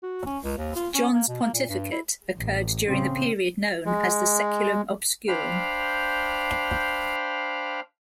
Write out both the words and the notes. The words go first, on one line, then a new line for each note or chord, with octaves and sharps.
John's pontificate occurred during the period known as the Saeculum obscurum.
F#4
C#4
C#2
D#2
F4
C#4
A#3
B2
A#3
A#2
G2
E4
A1
C#3 C4
G#3
D4 C5 F5 G5 B5 F6